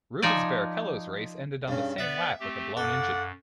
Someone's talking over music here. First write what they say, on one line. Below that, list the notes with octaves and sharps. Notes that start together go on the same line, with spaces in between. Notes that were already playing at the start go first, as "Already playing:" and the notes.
Rubens Barrichello's race ended on the same lap with a blown engine.
F3 D#4 D5 G#5
G2 C#3
B3 B4 D5 E5
A3 C4 G4
F#2 A4 F5 F#5 D6